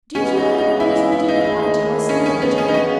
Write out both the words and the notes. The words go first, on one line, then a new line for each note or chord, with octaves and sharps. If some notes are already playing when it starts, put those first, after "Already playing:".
Did you have a pleasant dinner-party last night, Jane?
C#3 E3 G#3 B3 C#4
D#4
D#4
E4
E4
D#4
D#2 D#3 A3 D#4 E4 G#4
C#4
C#4
B3
C#4
D#4
C#3 E3 B3 C#4 F#4